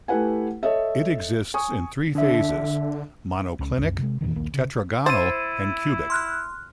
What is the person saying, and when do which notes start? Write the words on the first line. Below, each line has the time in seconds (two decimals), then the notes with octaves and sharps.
It exists in three phases: monoclinic, tetragonal and cubic.
0.08 A3 E4 G4 B4 F#5 G#5
0.63 A4 C#5 D#5 E5
1.54 G#5 C#6 D#6
2.15 D3 D4 E5
3.59 C#2 C#4
3.77 C2 F#2
3.98 C3 D#3 G#3
4.21 E2 A#2 D#3 E3
4.36 A#1 D#2 D#3 A#3
4.54 C#3
5.06 E4 C5 A6 D#7
6.10 C6 F6 F#6